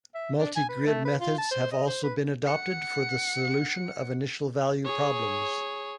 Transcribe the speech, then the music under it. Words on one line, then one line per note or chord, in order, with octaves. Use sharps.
Multigrid methods have also been adopted for the solution of initial value problems.
E5
D4
G#5
B4
A3
B4
F4
A5
C5
D#5
C5
B4
F#5 C#7
G#4 C#5